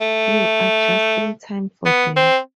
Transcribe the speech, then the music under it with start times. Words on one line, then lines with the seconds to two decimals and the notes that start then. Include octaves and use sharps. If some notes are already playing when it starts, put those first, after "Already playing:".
You are just in time for them.
0.01 A3
1.85 B3
2.16 C4